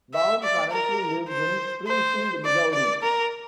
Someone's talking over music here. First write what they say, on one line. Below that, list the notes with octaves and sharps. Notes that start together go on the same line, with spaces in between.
Baum currently lives in Springfield, Missouri.
E5
D5
A#4
C5
C5
D5
D5
A#4